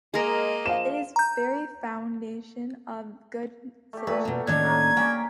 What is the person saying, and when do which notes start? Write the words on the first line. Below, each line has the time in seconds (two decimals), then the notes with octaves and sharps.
It is the very foundation of good citizenship.
0.14 G#3 A#3 G#4 A#4 D#5
0.66 F3 F5 E7
1.16 A#5 G6
3.93 A3 G4
4.07 A#2 A3 A4 B4
4.25 B2 A#3
4.47 A2 D#3 C#4 D4 G#6
4.63 F#3 A#3
4.97 A#3 C#4 G4 G5